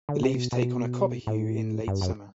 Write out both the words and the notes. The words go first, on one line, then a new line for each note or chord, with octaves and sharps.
The leaves take on a copper hue in late summer.
D3
C3
B2
B2
A2
G2
F#2